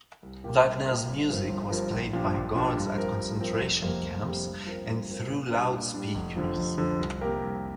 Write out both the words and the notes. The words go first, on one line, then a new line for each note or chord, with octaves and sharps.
Wagner's music was played by guards at concentration camps and through loudspeakers.
C2
A#2 A#3 G4 A#4
C2
A#2 A#3 G4 A#4
G1
G2 F3 C4 A#4
G1
G2 F3 C4 A#4
A#1
A#2 F3 D4 G4
A#1
A#2 F3 D4 G4
G2
F3 C4 A#4
G2
F3 C4 A#4
F1
F2 C3 G3 A#3
F1
F2 C3 G3 A#3
G2
F3 C4 A#4
G2
F3 C4 A#4
A#2
G3 D4
A#2
G3 D4
F1
F2 D3 F3
F1
F2 D3 F3
C2
C3 A#3 G4 A#4
C2